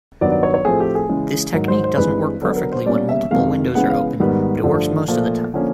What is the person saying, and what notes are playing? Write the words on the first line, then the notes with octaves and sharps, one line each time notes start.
This technique doesn't work perfectly when multiple windows are open, but it works most of the time.
G2 D#3 F#3 B3 D5
D5
C#5
C#5
A2 F3 A3 C4 G#4
G4
G#4
C#3 E3 G#3
G#2 D#3 F#3 A#4
C5
C5
G2 E3 G#3 C4 B4
D3 F#3 B3 A4
A#4
C5
B2 G3 A#3 C#4 D5
E5
F2 C3 D#3 G#3 F5
C#3 E3 G#3 B3 F#5
F5
G#2 D#3 G3 B3
G2 D3 F3 A3
A#2 F3 A3
D3 F3 A#3 C#4